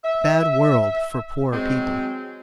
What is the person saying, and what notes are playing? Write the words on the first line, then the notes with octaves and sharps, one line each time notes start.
"Bad world for poor people."
E5
F#3 G#3 C4